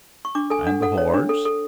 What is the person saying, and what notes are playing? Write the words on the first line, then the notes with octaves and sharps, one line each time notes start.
"And the horse?"
C#6
D4 D6
A4 G#5
D4 F#5
A4 F#5
C#5
D4
A4
A4